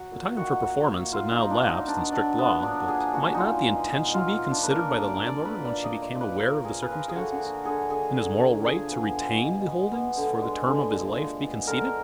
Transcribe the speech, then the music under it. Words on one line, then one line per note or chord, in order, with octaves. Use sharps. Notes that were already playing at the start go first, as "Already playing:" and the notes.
The time for performance had now lapsed in strict law; but might not the intention be considered by the landholder when she became aware of the circumstances, and his moral right to retain the holdings for the term of his life be conceded?
Already playing: F#3 F#4
A#2
D#3 F#4
D#3
A#3
A#2 F4
D#4
A#3
D4
F#3
D#4
B3 D4
F#3 D4
A#2 B3
F#3 D4
A#2 G#4
A#2 F#4
G#3 D#4 F4
B2
B2
F#3 F4
F#3
D4
A#3 B4
A#4
A#2
D5
A#2
D5
A#3
B4
A#2 D5
D#5
A#2
D5
F3
B4
A#2 A#4
F3 G#4
B4
F3 A#4
G#4
D3 F#4
A#3 F#4
D3 G#4
D3 G#4
D3
D3
F3 G#4
B3
G#3
B2
B3
B3
D3
G#3
D3
A#2
G#3
B3
D3 A#4